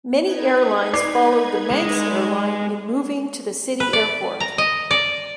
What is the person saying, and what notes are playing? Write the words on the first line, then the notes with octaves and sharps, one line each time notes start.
Many airlines followed the Manx airline in moving to the City airport.
D#4 B4 G#6
D5 D6 C7
G#3
B4
D5
A#5
D#5
D5